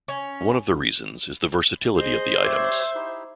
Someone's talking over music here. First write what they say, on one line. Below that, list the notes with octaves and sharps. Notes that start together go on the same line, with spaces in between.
One of the reasons is the versatility of the items.
C#4
G#4 C5 D#5
G4 C#5 D5 E5
D#4 E4 G4